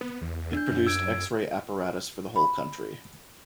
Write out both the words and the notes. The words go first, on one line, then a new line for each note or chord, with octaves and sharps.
It produced x-ray apparatus for the whole country.
B3
E2
D4 G6
F#2
E6 G#6 D7
B5